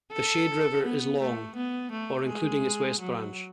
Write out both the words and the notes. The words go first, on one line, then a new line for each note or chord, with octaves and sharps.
The Shade River is long, or including its west branch.
A4
B3
A3
B3
A3
G#3
F#3